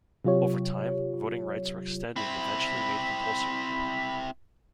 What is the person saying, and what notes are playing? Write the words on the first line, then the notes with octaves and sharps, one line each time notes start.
Over time, voting rights were extended and eventually made compulsory.
C3 F#3 F4 G4 C#5
C4 E4 B5